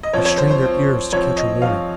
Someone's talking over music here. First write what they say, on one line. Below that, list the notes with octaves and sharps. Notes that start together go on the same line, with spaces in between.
They strained their ears to catch a warning.
D#5
F3 C4 C#5
C#5
C5
C5
F3 C4
F3 C4 C#5
D#5
F3 C4 F5